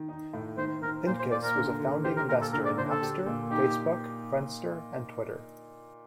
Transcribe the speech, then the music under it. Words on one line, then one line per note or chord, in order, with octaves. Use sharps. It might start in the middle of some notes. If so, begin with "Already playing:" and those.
Pincus was a founding investor in Napster, Facebook, Friendster, and Twitter.
Already playing: D#3
D#4
A2
D#3 C5
D#3 A#4
A#2 C5
C5
A#2 D5
A#4
D3
D3
G4 C5
A#4
A#2 A#4
A4
D3 A#4
D5
D3 C5
A4
G4
A#2
D#4 G4